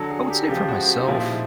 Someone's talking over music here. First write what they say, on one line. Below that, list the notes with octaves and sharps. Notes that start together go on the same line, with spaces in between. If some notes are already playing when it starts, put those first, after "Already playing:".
I would say for myself,
Already playing: D3 F#3 A4
G#4
G4
C#3 F3 G#3 G4
F#4
D#4
A#2 F3 G#3 E4